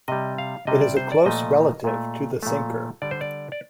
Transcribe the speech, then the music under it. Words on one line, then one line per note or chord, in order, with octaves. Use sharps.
It is a close relative to the sinker.
C3 G3 D#5
F5
C3 G3 D#5
D5
C5
D5
A#2 F3 A3 D#5
A#2 A3
A#2 F3 A3
D3 G3 D5
C5
D5
D5